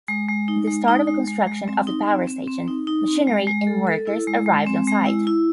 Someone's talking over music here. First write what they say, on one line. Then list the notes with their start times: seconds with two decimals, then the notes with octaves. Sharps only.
The start of construction of the power station: machinery and workers arrived on site.
0.08 G#3
0.28 G#3
0.48 D#4
0.67 G#3
0.88 D#4
1.07 G#3
1.28 G#3
1.47 G#3
1.68 C4
1.87 D#4
2.08 C4
2.27 C4
2.48 C4
2.68 D#4
2.87 D#4
3.08 C4
3.27 G#3
3.47 G#3
3.67 A4
3.87 A4
4.07 E4
4.27 G#3
4.46 G#3
4.66 C4
4.87 G#3
5.06 E4
5.27 E4